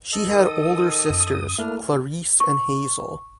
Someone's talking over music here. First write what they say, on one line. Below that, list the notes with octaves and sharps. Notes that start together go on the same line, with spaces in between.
She had older sisters Clarice and Hazel.
A4 D#5
D#3 D#6
F#2
A3 A#3 D4 E4 F6
C#6